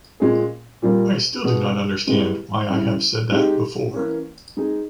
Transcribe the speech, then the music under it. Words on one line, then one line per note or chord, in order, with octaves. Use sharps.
I still do not understand why I have said that before.
A#2 G#3 C#4 G#4
A#2 G3 A#3
B2 G#3 B3
G#3 B3 E4 G4
C#3 G3 C#4 E4
G#3 D#4 G4
E3 A#3 C#4
G#3 D#4 G#4